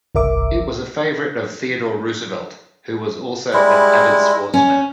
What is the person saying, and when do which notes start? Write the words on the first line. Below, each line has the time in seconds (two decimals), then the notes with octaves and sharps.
It was a favorite of Theodore Roosevelt, who was also an avid sportsman.
0.15 G1 C2 A#4 E5 D6
3.53 G3 G#3 E4
4.54 C#4